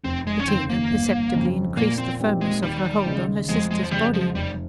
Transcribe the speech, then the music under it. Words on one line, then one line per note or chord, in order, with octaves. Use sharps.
Bettina perceptibly increased the firmness of her hold on her sister's body.
F1 C4
G#3
C#4
D#2 C#3 C4
A#3
G1
F2 C#3
A#2 A#3
C4
G3 C4 D#4 G4
G#3
D#2 G3
C#3 G#3
F2 G#3
G#3
F3
C#3 G3 G#3
F3
F1 G3